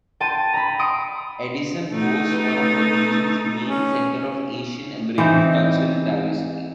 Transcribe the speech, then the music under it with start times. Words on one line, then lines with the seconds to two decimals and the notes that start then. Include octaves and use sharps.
Edison hosts one of the region's main centers of Asian American cultural diversity.
0.20 G5 A5 C6 D#7
0.54 A#5 B5
0.79 C6 D#6 C#7 D7
1.91 A3 D#4
2.30 B4
3.66 C#4
5.18 E3 C4 D#4 C5